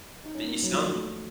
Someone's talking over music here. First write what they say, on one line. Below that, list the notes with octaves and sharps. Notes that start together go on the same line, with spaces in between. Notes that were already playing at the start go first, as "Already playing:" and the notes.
But you sound
D#4
C#4
A#3
F#3
F3
F#3
A3